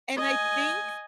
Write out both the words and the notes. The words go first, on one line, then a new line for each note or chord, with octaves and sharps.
and I think
D#5 G#5